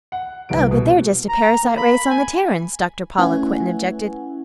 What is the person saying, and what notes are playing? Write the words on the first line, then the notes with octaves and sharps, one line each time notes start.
"Oh, but they're just a parasite-race on the Terrans," Dr. Paula Quinton objected.
F#5
C2 E3 D7
B2
A#5
A#3
B5
G#5
A3 C#4 E4 B4 F#5 G#5